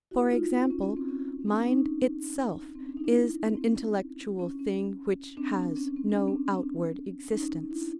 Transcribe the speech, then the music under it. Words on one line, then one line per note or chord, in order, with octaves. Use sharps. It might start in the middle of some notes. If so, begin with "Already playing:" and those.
For example, mind itself is an intellectual thing which has no outward existence.
E4 F#4
D#4 F4
C#4
C#4
C4
C#4
C4 D4
C#4 D#4
C4
C#4
D4
D#4
D4 E4
C4
C4
C#4
C#4
C#4
C4 D4
C4 D4
C#4
C4
D4
C#4
C4 D4
C4 D4
C#4 D#4
D4 E4